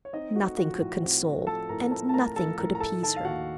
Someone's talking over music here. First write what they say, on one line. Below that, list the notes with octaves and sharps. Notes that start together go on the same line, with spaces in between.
Nothing could console and nothing could appease her.
C#5
C4 D#4 D#5
A3 F#4 F#5
F3 F#4 F#5
A2
C4
A3
F3 A4 A5
A2 A#4 A#5
C4 A4 A5
A5
A3 A#4 A#5
F3 A4 A5
A2 A#4 A#5
A#5
A3 A4 A5
D#3 A4 A5
F5
D#2 F#4 F#5